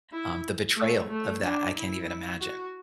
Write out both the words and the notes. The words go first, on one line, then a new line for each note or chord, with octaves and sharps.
um, the betrayal of that, I can't even imagine.
E4
A3
A3
D4
E4
F#4